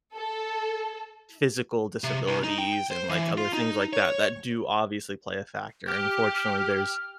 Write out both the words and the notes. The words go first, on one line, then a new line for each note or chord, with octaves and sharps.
physical disabilities and, like, other things like that, that do obviously play a factor. Unfortunately, there's
A4
C3
C2
D#4
G5
G5
C5
E3
F4
D#4
C#5
G4 F6